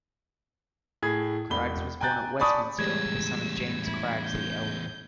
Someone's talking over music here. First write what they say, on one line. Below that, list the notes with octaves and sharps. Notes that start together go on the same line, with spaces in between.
Craggs was born at Westminster, the son of James Craggs the Elder.
A2 G#4 G#6
E1 B5 G7
G5 G#5 A#5 F#6 G6 A6
D5 G#5 A5 B5 C#6 D#6
E2 A2 G3 G#3 C#5 E6 G#6
E4
G6